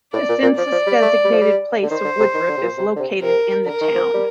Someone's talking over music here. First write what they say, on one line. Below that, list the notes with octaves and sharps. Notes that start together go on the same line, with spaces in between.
The census-designated place of Woodruff is located in the town.
A2 D5
A#2
A#2
F3 D5
F3
G3
A3
G3
F3
G3
D3
D#3 C5
D3
C3
D#3
D3
C3
A#2
C3
D3
C3
C3 A#4
D3 A#4
D#3
F3
G3